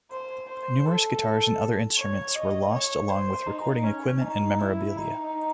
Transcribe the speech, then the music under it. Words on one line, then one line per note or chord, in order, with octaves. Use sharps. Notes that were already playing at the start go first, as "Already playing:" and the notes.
Numerous guitars and other instruments were lost along with recording equipment and memorabilia.
C5
C5
A4
C#5
D#5
C#5
C5
D#4
C#4
D#4
E4
D#4